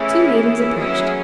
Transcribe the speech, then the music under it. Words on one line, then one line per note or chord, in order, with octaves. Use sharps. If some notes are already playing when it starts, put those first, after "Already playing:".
Two maidens approached.
Already playing: E3 A3 C#4 E4 G#4
F#3 C#4 E4 G#4